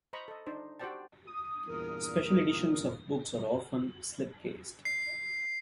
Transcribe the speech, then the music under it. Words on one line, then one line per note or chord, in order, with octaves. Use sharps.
Special editions of books are often slipcased.
C5 D#5 A#5 B5 C#6
A4 D#5
D4 D#4 C5
F#4 G4 C5 D5 G5 A5
D#6
E2 G2 A#2 A#4
C7